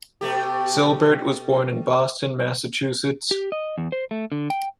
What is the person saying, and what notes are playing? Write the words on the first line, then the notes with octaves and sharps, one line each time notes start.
Silbert was born in Boston Massachusetts.
B2 A3 G4
G4
D#5
E2
C5
A3
D3
G5